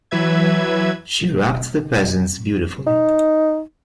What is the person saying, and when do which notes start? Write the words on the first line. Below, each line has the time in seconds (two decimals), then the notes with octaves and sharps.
She wrapped the presents beautifully.
0.11 E3 F#3 B4 E5 G#6
2.87 D#4